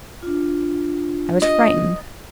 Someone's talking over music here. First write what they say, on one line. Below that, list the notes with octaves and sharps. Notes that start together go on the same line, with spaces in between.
I was frightened.
D4 F4
D#5